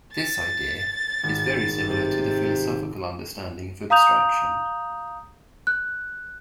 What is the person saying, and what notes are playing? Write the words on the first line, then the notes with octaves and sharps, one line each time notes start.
This idea is very similar to the philosophical understanding of abstraction.
A6
G#1
C3
F5 A#5 D#6 G6 F7
F#6